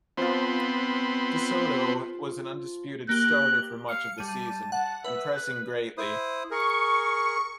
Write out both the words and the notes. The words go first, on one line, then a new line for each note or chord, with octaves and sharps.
Pessotto was an undisputed starter for much of the season, impressing greatly.
F3 B3 C4 F4
A#3 G4 F#6
F5 C#7
G3 A5 D#7
F#5 A5
B4 E5
F#6
E4 C5 D#6
G#4 A#4 C#6